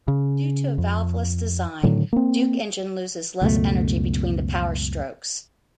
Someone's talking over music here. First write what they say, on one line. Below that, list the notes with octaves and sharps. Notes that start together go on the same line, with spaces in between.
Due to a valveless design, Duke engine loses less energy between the power strokes.
C#3
F2
A2 D3 D#3 F#3
A#3 C4
C#2 F#2 B2 A3